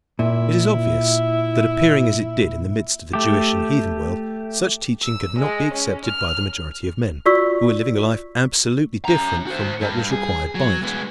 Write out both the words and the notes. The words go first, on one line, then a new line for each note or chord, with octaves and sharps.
It is obvious that, appearing as it did in the midst of the Jewish and heathen world, such teaching could not be accepted by the majority of men, who were living a life absolutely different from what was required by it.
A#2 E4
A3 G4
E6
G#3
C#4
F6
F4 F#4 D5 C#6 E6 B6
C#4 A#5
F#4 C5
G2
G#4
F#3
G#3 B3